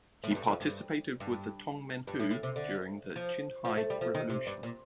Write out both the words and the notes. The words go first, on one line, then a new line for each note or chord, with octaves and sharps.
He participated with the Tongmenghui during the Xinhai Revolution.
A2
F2
G2
F2
G2
G2
G2
A2
A2
C3
D3
F3
F3
A3
G3
F3
D#3
C3
G2
A#2